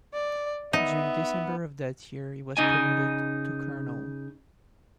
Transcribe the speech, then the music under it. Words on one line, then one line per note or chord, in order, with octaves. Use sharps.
During December of that year, he was promoted to colonel.
D5
B3 D#4 E5
C#3 D#4 D#5 G#5